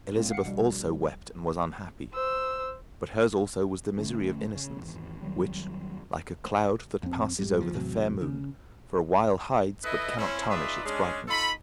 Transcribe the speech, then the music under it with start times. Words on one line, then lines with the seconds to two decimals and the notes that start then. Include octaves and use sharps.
Elizabeth also wept and was unhappy, but hers also was the misery of innocence, which, like a cloud that passes over the fair moon, for a while hides but cannot tarnish its brightness.
0.15 A2 G#3 A#3 C4
0.30 F5 F#5 C7 C#7
0.43 A#1 B2 G3
2.13 C5 E6
3.98 D3 E3 A3 C#4
4.55 C#3
4.79 G#1 E2
5.22 F2 D#3 F#3 G3
7.03 F2 C4
7.39 G#2 G3
7.61 F#1 F3
7.74 E2 A2 C3 F#3
8.21 C#3
9.84 E4 A4 B4 D#5
10.17 C4 C#4 E4
10.50 D#4 F4 G#4 B4 D5 E5
10.85 G#3 C#4 D4
11.28 D#4 F4 A4 B5